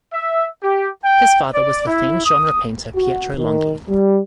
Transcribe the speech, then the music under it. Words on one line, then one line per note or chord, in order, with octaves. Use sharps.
His father was the famed genre painter Pietro Longhi.
E5
G4
G5
D5
E4
D#6
F#4
D#3
G3